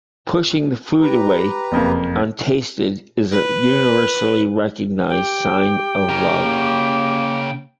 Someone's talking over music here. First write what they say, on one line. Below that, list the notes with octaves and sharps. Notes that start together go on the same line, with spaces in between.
Pushing the food away untasted is a universally recognized sign of love.
G4 B4 A#5
F#1 F2 A#3
B4
G4 G5
C#3 A#4
A#3